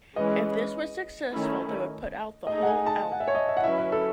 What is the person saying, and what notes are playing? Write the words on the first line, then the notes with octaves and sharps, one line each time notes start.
If this was successful they would put out the whole album.
E3 G#3 C#4 G#4 B4 D#5
D#3 A3 C#4 E4
A3 D#4 G#4 D#5
F#5
G#5
A5
F#5
E5
C#5
D#5
E5
F#5
F#3 C#4 E4 B4 E5
E5
A4